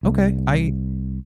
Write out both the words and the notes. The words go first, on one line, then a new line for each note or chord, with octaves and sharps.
okay. I
C2